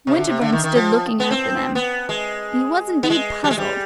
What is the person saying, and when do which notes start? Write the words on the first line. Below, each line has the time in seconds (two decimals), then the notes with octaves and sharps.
Winterbourne stood looking after them; he was indeed puzzled.
0.07 C3
0.17 D3
0.28 C3
0.41 D3
0.52 D#3
0.64 D#3
0.75 F3
1.20 B3
1.31 C4
1.75 B3
2.09 G#3
3.03 B3
3.10 G#3
3.44 G3
3.51 G#3
3.58 G3